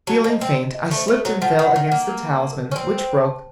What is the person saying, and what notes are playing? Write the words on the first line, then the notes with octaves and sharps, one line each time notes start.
Feeling faint, I slipped and fell against the talisman, which broke.
F#3 A5
F3
D#5
C4
C5
D#5
A3
C5
A3
A4
F#3
F3 F#5
D#3
F#5
D#3
A#3 F#5
A#4
A5
A#4
C#4
C4 C5
C5
A5